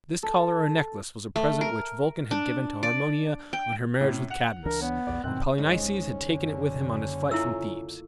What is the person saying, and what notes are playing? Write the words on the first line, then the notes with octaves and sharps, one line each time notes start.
This collar or necklace was a present which Vulcan had given to Harmonia on her marriage with Cadmus, and Polynices had taken it with him on his flight from Thebes.
A4
A3
A#4
D4
D5
G5
A2 C3 C#4
F#5 F7
C#2 E3 D4 A#4
B3 C#5
A#1 E2 D5
F#2 B2 D#3 C4 F#6
C2 G#2 G#3 C#4
F#1 D3
A3 A#3 E4 F4 E6